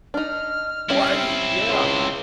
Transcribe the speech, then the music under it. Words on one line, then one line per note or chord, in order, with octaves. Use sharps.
Right! Yeah.
D4 D#4 F6
G3 C4 C#4 E4 G4
C#2 C6